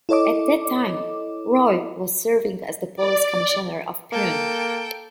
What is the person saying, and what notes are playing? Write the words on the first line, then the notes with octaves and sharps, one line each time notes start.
At that time, Roy was serving as the Police Commissioner of Pune.
E4 A4 C#5 D#5 D6
D5
A#3 A4 G5